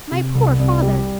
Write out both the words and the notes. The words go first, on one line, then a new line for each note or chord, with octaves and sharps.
My poor father!
C3
C2
C2
G3